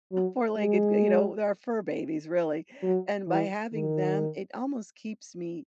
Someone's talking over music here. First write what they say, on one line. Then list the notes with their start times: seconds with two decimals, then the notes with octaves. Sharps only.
four-legged g you know, they're our fur babies, really and by having them, it almost keeps me
0.12 F#3
0.57 G#3
2.83 F#3
3.28 E3
3.73 D#3